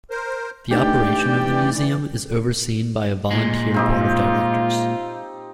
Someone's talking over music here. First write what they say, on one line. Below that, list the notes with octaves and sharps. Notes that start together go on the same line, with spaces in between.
The operation of the museum is overseen by a volunteer board of directors.
A#4 C5
E3 A3 D4 D#4 G4 D5 G5
A#2 G#3
C4 D#4 F4 G4